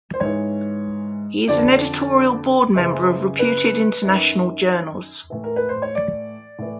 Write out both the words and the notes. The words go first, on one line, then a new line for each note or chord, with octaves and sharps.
He is an editorial board member of reputed international journals.
C5
G#2 E3 C#5
F2 D3 D5
F#2 C#3 E3 C5
B4
F#2 D#3
A2 E3
A#4
B4
C5
C#5
D5
A2 E3